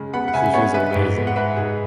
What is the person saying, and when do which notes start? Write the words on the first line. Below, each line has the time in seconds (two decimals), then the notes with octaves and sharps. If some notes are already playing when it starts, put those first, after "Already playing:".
Sushi is amazing,
Already playing: C#3 G#3
0.13 B3 F#5 B5
0.28 F#5
0.34 C#3 E5 G#5
0.44 E5
0.54 B3 C#5 F#5
0.74 G#3 B4 E5
0.95 G#2
1.16 B3
1.27 F#5
1.36 G#3 B4 E5
1.56 G#2 G#4